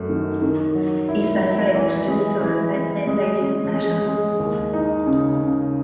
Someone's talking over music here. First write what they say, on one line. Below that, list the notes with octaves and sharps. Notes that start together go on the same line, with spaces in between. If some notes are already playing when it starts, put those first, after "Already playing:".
If they failed to do so, that meant they didn't matter.
Already playing: F#2 F#3 A3
D#3
D#3
F#3
E4
F#3
E3
G#3
E3
E3
G#3
C#4
G#3
G#3
D#2
D#4
C#3
C#3